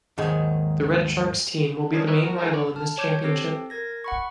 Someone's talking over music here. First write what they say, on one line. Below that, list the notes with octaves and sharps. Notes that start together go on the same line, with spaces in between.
The Red Sharks team will be the main rival in this championship.
D#2 G#2 D#3 G#4
D#3 F3 C#4 D4 E4
A#4 B4 C#5 D#5 E5
F#4 A#4
G#3 D#4 F4 F#4 A#4 E5
C#5 D5
A5 F6
C#5 D6 G6 G#6
C4 G4 A4
A#4 G#6 A#6
F#5 B5 C#6